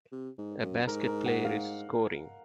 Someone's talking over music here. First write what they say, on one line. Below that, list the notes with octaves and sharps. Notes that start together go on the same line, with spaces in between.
A basket player is scoring.
C3
G#2
F#2
G#2 A#4
A#4
F#5
F5